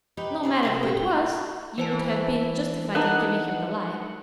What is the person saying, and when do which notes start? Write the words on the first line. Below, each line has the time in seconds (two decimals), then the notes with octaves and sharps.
No matter who it was, you would have been justified in giving him the lie.
0.17 D#4 G4 B4
0.43 G#4 B4 D5
0.63 C3 F#3 G#4
0.83 A#2 F#4 G4 G5
1.78 E3 B4 C5 A5
2.95 D4 D#4 A#4 B4 D#5 F#5